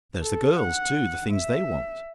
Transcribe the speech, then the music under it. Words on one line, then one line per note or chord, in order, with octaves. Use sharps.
There's the girls, too--the things they want!
A4
F#5
E5